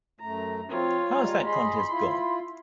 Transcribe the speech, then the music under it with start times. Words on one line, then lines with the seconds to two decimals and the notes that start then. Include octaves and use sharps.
How has that contest gone?
0.20 F#2 A3 A#5
0.69 F3 C4 F4 C#5
1.14 G3 G#3 A#5
1.45 G#4 D#5 B5 C6
1.89 E4 F4